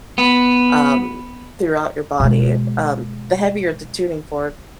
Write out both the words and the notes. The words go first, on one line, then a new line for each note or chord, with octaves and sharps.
um, throughout your body, um, the heavier the tuning fork,
B3
B2 G#3